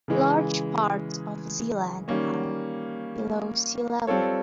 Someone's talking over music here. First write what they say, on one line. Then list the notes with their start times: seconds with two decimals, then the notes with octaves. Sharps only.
Large parts of Zeeland are below sea level.
0.08 C#3 E3 G#3
2.08 D#3 G3 A#3 C#4
4.07 G3 C4 F4 A4 C#5